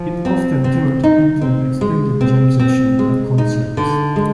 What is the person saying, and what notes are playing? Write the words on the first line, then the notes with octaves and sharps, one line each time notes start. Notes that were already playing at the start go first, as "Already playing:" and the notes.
It often turned into an extended jam session at concerts.
Already playing: F3
C4
C4
D#4
C4
G#3
C4
C4
G#3
D#4
D3
G#3